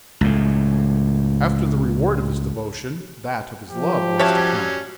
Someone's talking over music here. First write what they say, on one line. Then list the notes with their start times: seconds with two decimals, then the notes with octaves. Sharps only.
After the reward of his devotion, that of his love was to come.
0.21 C#2 A2
3.70 F3 G4
4.19 F#3 G3 C#4 C#5 E5 A5